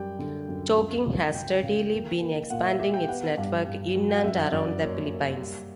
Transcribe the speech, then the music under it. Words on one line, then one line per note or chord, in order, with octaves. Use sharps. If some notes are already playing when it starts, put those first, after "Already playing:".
Chowking has steadily been expanding its network in and around the Philippines.
Already playing: F#2 G3 D5 G5
D3
F#2
C#2
C#2
C#3 G5
C#3
A#3
A#3
A#2 F#5
E5
G4 E5
G5
B3 F#5
G2
G2
F#3
G5
F#5
F#2 E5
F#5
E5
F#2 D5
A#3 C#5
A#3
G3